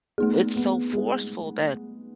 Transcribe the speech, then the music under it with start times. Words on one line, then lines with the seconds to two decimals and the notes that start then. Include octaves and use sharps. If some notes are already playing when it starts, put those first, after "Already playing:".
it's so forceful that
0.18 A3 B3 D#4 G#4
0.56 B3
0.93 G#3